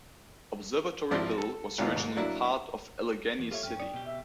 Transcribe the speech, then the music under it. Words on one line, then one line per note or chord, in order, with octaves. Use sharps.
Observatory Hill was originally part of Allegheny City.
G#1 F3 C4 E4 D5 C6
A4
G#1 D#2 D#3 B3 D#4 F4
G#2
F#3 A#3 D4 E4
E2
F4 G4 A4 C#5 E5
G2 C#4 G5 F6
D5 D#6 C#7
B2 G4
E5